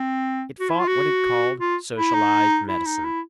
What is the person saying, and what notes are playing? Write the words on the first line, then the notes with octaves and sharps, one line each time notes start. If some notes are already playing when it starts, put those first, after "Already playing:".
It fought what it called socialized medicine.
Already playing: C4
F#4
E4
F4
F#4
F4
E4
D#4
E4
D#4
E4